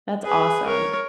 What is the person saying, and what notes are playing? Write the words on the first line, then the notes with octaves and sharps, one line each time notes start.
That's awesome.
G#4 B4
A#4 C#5